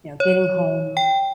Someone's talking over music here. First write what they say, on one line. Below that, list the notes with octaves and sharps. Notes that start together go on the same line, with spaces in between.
you know, getting home,
C#5
G5